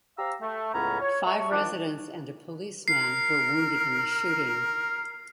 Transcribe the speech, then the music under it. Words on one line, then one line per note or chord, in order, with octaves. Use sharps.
Five residents and a policeman were wounded in the shooting.
G4 C5 F5 A#5 E6
A3
C#2 A2 B3 C#4 A#5
C#5
E5 A5 C#6
D#3 F3 D4
A#4 C7